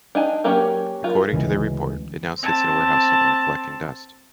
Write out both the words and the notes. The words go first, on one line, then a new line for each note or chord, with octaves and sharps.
According to their report, it now sits in a warehouse somewhere, collecting dust.
D4 D#4 G#5
F#3 A#3 C#4 G4 A#4
F#3 F4 A#4
D2 C#3 E3 G#3
C4 A5